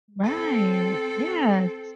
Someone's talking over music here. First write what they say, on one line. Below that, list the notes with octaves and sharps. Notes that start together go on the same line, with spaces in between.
Right. Yes.
C4 A4